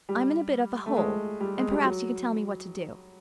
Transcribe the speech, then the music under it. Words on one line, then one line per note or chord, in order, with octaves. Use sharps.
I'm in a bit of a hole, and perhaps you can tell me what to do.
G3
A3
G#3
G3
G#3
G3
F#3